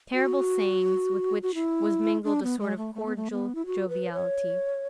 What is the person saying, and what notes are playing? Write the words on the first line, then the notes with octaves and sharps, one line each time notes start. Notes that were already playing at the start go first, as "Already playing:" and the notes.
Terrible sayings with which was mingled a sort of cordial joviality.
F#4
F#4
E4
D4
B3
G#3
A3
A3
B3
A3
B3
E4
F#4
B4
C#5